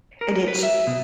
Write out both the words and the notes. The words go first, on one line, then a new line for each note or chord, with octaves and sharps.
and it's
A#4
B4
E5
B2